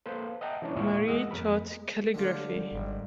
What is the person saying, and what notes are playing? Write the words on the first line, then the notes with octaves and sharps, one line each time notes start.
Marie taught calligraphy.
A#3 A4 B4 C5
D#5 E5 F#5 G5 A5 A#5
E3 G3 C#4 D4 E4
D#2 A#2 E4 F4 C#6
E2 G#3 D#5 F#5 E6
F2 A#4 B5
D3 F4
G3
G#1